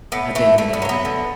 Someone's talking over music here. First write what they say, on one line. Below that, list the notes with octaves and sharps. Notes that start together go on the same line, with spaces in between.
at the end of the day, I think.
A2 B3
E3 A3
D3 A3
B3
F#3 A3
B3
D3